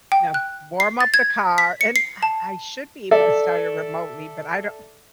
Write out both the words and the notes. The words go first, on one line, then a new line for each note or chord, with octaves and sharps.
Now warm up the car, and, ah, I should be able to start it remotely, but I don't
G5
F#6
C7
A6
G#6
B6
C#7
C7
A5
A4 D5 E5